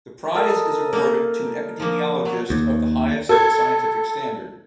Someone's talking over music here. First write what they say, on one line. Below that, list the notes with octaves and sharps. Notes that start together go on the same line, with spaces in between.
The prize is awarded to an epidemiologist of the highest scientific standard.
A4 A#4 D#5
A#3 D#4
F3 A#3
F#3
D#2
A4 G#6